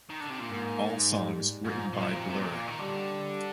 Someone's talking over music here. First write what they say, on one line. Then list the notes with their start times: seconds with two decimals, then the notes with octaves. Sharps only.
All songs written by Blur.
0.10 D#3
0.20 D3
0.30 C3
0.40 A#2
0.50 G#2 A#3
1.08 G3
1.64 G#2 F3
1.93 A#2
2.01 C3
2.08 A#2
2.16 C3
2.23 A#2
2.30 C3
2.38 A#2
2.46 C3
2.53 A#2
2.67 D#3
2.79 D3 G3